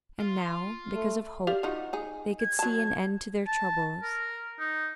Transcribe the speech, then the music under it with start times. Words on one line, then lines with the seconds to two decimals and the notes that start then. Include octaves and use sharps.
And now because of Hope they could see an end to their troubles.
0.20 F4
0.93 A3
1.47 G4 D5 F5
1.63 F3 D#4 F#4
1.93 D#4 G#4
2.39 G#6
2.59 F#3 A5
3.47 A5
4.03 A#4
4.60 D#4